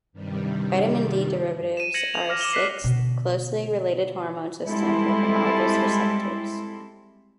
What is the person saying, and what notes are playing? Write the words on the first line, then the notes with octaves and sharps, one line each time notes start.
Vitamin D derivatives are a sixth closely related hormone system with homologous receptors.
G2 C3 D#3 G3
D#7 E7
G#6 A#6 C#7 D#7 F#7
F7
D6 F6 A#6 E7
D6 E7 G7
F#6 B6 C7
B2 D3
G3 G#3 C4 E4 A4